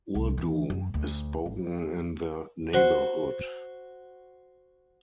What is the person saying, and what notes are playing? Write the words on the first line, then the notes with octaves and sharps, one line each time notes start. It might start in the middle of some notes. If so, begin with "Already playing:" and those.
Urdu is spoken in the neighborhood.
C2
E3
F#2
D2
G#1
F#4 C5 F#5